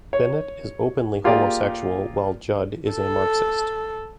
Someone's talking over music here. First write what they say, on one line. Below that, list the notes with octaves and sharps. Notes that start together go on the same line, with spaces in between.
Bennett is openly homosexual, while Judd is a Marxist.
C#5
A#3 F4 G4 G#4 D5
A4